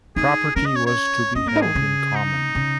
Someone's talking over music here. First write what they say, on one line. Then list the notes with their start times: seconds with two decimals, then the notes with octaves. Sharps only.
Property was to be held in common.
0.16 D#4 G#4
0.56 C#4 A#4
0.66 D#5
0.76 C#5
0.86 C#5
1.35 C#4 D#5
1.46 A#3 A#4
1.56 D#4
1.62 D#3 G#4
1.75 C#3
2.16 D#4
2.55 C#3